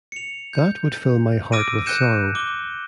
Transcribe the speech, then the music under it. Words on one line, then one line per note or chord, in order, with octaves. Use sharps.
That would fill my heart with sorrow.
C#7 F7
G6
D6 E6 F6 A#6 D7 D#7
F#6 G6 C#7 D#7 E7
D6 G7